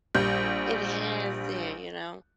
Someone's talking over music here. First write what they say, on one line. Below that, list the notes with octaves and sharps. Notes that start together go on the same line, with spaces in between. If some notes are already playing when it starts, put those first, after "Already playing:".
It has there, you know?
A#1 G3 G6